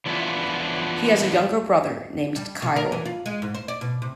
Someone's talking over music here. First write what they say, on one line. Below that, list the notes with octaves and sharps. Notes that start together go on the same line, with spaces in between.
He has a younger brother named Kyle.
E3 F3 B3 D4 E4 F4
G3
C3
A#4
E3
F4
G#3
G#2
C5
D5
B2
C3